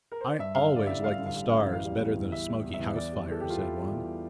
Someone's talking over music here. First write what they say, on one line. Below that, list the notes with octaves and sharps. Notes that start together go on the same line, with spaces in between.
"I always liked the stars better than a smoky house fire," said one.
A#4
C5
D5
G2 E5
D3 F5
G3 D5
A1 E5
G2 F5
D3
F5
G3
A1 F5
E3
F5
G3
E2
E2
E3 E5
G3
E2
E5
E2
E3 D5
G3
E2 A4
E2 G4
F4
E3 E4
G3
E2